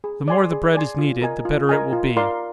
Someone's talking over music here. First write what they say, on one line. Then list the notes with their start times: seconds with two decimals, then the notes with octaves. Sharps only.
The more the bread is kneaded, the better it will be.
0.04 G#4
0.28 D5 G#5 C6
0.51 G#4
0.75 D5 G#5 C6
0.98 F4
1.22 A#4 D#5 G#5
1.45 F4
1.69 A#4 D#5 G#5
1.93 F4
2.17 A#4 D5 F5 C6